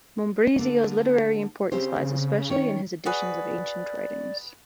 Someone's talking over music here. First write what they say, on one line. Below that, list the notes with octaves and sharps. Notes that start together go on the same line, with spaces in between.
Mombrizio's literary importance lies especially in his editions of ancient writings.
D3 A#3
C#3 C4 G4 C5
D#3 C#4 C#5
F#4 G#4 B4 D5